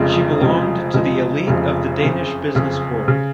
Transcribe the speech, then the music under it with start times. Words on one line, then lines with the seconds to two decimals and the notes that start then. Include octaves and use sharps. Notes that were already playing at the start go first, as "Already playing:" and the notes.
She belonged to the elite of the Danish business world.
Already playing: F1 F2 C#3 F3 G#3
0.40 F1 F2 C#3 F3 G#3
0.93 F1 F2 C#3 F3 G#3
1.47 F1 F2 C#3 F3 G#3
2.01 F#1 F2 C#3
2.55 F#1 F2 C#3
3.08 C#3